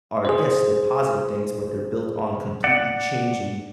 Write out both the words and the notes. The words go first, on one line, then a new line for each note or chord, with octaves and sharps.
are yes, they're positive things, but they're built on completely changing
G#4 C5
D5 F#5